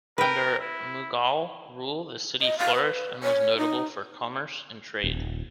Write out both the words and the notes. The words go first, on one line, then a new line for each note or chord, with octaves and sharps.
Under Mughal rule, the city flourished and was notable for commerce and trade.
A#4 B4 G5
E4
D#5
F5
B4
C#5
D#4
D#1